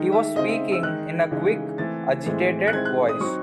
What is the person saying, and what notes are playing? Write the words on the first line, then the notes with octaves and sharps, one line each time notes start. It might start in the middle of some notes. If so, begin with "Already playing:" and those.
He was speaking in a quick, agitated voice.
Already playing: D#3 G#3 D#4
E5
C#3 G#3 C4 D#4 D#5
E5
E6
D#3 G#3 D#4 F#6
C#3 E3 G#3 D#4
E3 A3 C4 A6
A2 E3 G#3 C4
F#6
D#3 G#3 C4 E4 G#6
F#6
D#6
F#3 C4 D#4 C#6